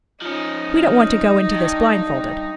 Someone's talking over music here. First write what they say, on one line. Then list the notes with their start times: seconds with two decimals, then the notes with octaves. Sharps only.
"We don't want to go into this blindfolded."
0.22 F3 C#4 D#4
1.51 G2